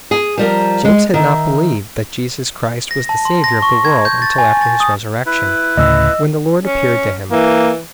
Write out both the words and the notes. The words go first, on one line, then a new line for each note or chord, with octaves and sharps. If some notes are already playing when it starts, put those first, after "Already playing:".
James had not believed that Jesus Christ was the Saviour of the world until after His Resurrection, when the Lord appeared to him.
G#4
F3 G3 A#4
G#3
D#3 E5
A#6
A5
C6
A#6
C#6
G#6
G6
A6
G#5
A6
D#6
E4 B4
D2 A2 C#3 D#5 E6
C#4
E3 A#3